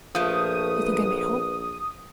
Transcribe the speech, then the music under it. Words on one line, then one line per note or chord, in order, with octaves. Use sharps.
You think I may hope?
A#1 F3 A3 B4 D#6